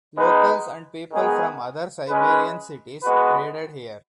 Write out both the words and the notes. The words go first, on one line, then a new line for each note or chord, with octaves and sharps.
Locals and people from other Siberian cities traded here.
G#3 B3 D#4 B4
D#3 G#3 B3 G#4
G#3 C#4 B4
G#3 B3 F#4 B4